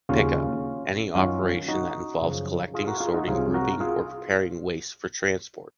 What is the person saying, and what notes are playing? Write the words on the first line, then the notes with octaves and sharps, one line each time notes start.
Pickup: any operation that involves collecting, sorting, grouping or preparing waste for transport.
D#2 C#3 F#3 C#4 F4
F#2 D#3 F#3 C#4 F4
D#4 F#4
F#2 C#3 F3
F4 G#4
F#4 A#4
F4 G#4
D#4 F#4
C2 C3 F#3 F4 G#4
F#4 A#4
F4 G#4